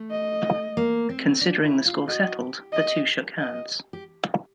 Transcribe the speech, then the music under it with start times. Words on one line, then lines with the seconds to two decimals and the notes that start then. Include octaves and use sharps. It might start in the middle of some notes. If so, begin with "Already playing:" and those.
Considering the score settled, the two shook hands.
Already playing: A3
0.11 D#5
0.77 A#3
1.09 C4
1.41 D4
1.64 E4
1.86 F4
2.07 F#4 D#5
2.40 G4
2.73 D#5
3.38 D#5
3.93 G4